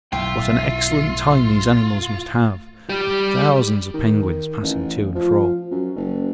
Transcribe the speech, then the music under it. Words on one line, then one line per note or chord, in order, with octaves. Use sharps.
What an excellent time these animals must have with thousands of penguins passing to and fro!
B1 F#2 A2 F4 E5 G5
G3 G4
D#3
A1
F3
F#2
F#1